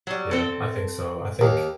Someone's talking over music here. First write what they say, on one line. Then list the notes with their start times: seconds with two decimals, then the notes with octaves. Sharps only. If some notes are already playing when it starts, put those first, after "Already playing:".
Yeah, I think so, I think
0.07 F#3 G3
0.31 C4 A4
1.41 D#2